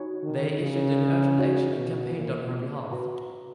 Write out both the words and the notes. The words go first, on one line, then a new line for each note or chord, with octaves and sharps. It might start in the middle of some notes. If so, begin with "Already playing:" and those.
They issued an Urgent Action and campaigned on her behalf.
Already playing: D#4 F#4 C#5 G#5 B5
D#3
C#3
D#4 F#4 C#5
B2
A#2
F#4 B4 F#5 A#5